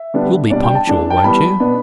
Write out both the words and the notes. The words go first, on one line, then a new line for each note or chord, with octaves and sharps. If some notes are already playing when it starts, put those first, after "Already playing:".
"You'll be punctual, won't you?"
Already playing: E5
D3 G3 B3 D4
B2 G3 D4 D5
G5
A5
E3 A3 D4
G5
A5
E3 G3 B3 B5
B2 B3 D4